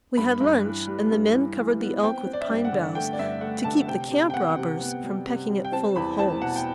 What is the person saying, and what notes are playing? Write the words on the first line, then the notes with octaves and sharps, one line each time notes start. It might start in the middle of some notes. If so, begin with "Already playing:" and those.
We had lunch, and the men covered the elk with pine boughs to keep the camp robbers from pecking it full of holes.
G2 B5
G2
E3
G3
G2
E3
E3
B3
C4 G5
C4
D5
E5
G2 D5
F#5
D3
A3 G5
D5
G2 E5
A3 F#5
D3 A5
C3 G5
C3
G5
B3 F#5
C3
B3
G3
C3
G3
G5
C4 A5
E2 B5
C4 A5
B2 F#5
G5